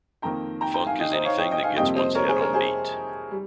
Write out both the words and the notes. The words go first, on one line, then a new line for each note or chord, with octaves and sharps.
Funk is anything that gets one's head on beat.
F2 D#3 A#3 G5 A#5
G5 A#5
G5 A#5
F5 G#5
D#5 G5
C5 D#5
C#5 F5
D#5 G5
D#5 G5
F5 G#5
F2 C3 G3 A#3 D#5 G5
C5 D#5
A#4 C#5
G#4 C5
A#4 C#5
G#4 C5
G3